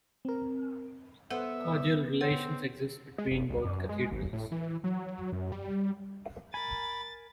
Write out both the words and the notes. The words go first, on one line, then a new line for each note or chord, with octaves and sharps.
Cordial relations exist between both cathedrals.
C4 A#4
B3 A4 C5 E5 F#5
C4 C#5 F#5
G#3
F#1
C2
F#2
G#3
G#1
A2
E3
F#3
F#2
G3
A#4 G#5 B5 A6